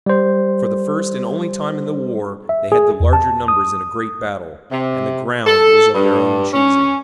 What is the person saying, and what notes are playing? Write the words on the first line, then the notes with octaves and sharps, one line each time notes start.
For the first and only time in the war they had the larger numbers in a great battle, and the ground was of their own choosing.
G3 C5
E5
G#4
E2
A5
D#6
C3
A4
G2
C#4